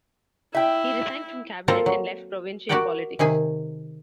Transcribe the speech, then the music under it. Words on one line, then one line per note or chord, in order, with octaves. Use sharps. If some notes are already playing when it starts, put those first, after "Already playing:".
He resigned from cabinet, and left provincial politics.
E4 E5 G5
A#3 C4 F4 A4 C5 A#5
F#3
F#4 G4 A#4 D5 F#5 G5
C3 D#3 G#4 G#5